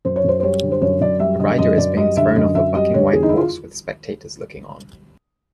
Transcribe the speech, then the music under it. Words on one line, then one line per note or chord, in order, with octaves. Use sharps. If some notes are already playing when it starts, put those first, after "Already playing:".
A rider is being thrown off a bucking white horse with spectators looking on.
F#2 C5
C#5
F#2 C5
C5
G3 C#5
D3
C5
F#2 C#5
F#2 D5
G3 E5
D3 D#5
F#2 D#5
F#2 D5
G3 D#5
D3 E5
F#2 D#5
F#2 E5
G3 D#5
D3 C#5
E2 G#4
D#4
E4
F4